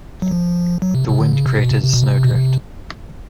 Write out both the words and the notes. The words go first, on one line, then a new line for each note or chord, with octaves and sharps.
The wind created a snowdrift.
F#3
F3
F#3
C3
C3
D3
C#3
C3
B2
C3
C3
B2
C3
B2
C3